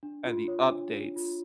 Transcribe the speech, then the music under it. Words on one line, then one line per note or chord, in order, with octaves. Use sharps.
and the updates
D4
F4
C#5
D4
D4
F4